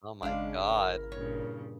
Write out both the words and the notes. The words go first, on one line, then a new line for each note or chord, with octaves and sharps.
Oh my god.
G#1 C#3 G#3 D4 F5
A#3 E4 A#4
G2 A#2 C#3 C#5